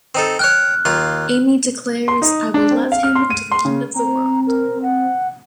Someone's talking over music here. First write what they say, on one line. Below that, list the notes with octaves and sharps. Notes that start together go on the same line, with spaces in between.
Amy declares, I will love him until the end of the world.
C4 D#4 A4
C#5 G5 F6 F#6
D#2 F4 C6
C6
D#4
D4
C4
F5
F6
C6
D#7
C6
C#3
C4 A#5
A#4
F#5